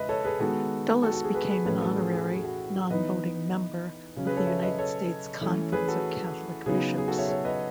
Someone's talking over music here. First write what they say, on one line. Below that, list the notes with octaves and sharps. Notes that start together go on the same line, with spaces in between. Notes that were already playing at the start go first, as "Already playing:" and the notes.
Dulles became an honorary, non-voting member of the United States Conference of Catholic Bishops.
Already playing: C#3 G#3 B4 D#5 E5
A4 C#5
G#4 B4
D#3 G#3 B3 D#4 F#4 A4
F#4 A4
F#4
G#4
G#4 B4
G#4 B4
A2 E3 A3 C#4 G#4 B4
F#4 A4
G#4
G#4
F#4
G#4
F#4
E3 B3 D#4 B4 D#5
C#3 F#3 C#4
G#4 B4
A4 C#5
C#5 E5
B4 D#5
A4 C#5
E3 A3 C#4
G#4 B4
F#4 A4
C#3 F#3 B3 D#4 G#4
G#4
F#4 A4
C#5 E5
A4 C#5
B4 D#5